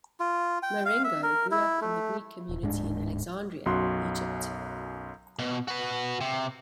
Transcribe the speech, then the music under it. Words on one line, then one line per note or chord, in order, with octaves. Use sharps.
Marengo grew up in the Greek community in Alexandria, Egypt.
F4
G5
F5
E5
A#4
E4
A3
D#1
D1 G#2 G#3 D4
B1 F#2 F#4 C6
B2
F#4 B4
C3